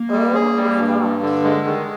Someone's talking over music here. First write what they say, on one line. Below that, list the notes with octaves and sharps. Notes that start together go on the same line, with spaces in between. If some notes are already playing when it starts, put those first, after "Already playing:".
Oh my gosh.
Already playing: A#3
G3
G#4
G3
G2
G2
D3
G#3
D#3 G#4